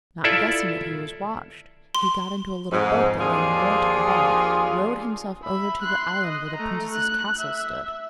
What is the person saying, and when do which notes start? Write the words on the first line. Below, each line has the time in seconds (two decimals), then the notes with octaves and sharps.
Not guessing that he was watched, he got into a little boat that lay moored to the bank, rowed himself over to the island where the princess's castle stood.
0.24 E4 F4 A4 D5 E5
1.95 C6
2.72 F2 G#2
3.20 D#2 F3 D4 F4 G#4
5.44 E5 B5
5.82 C6 F#6
6.24 D#5
6.56 A3 A#5
6.91 F#6
7.39 E5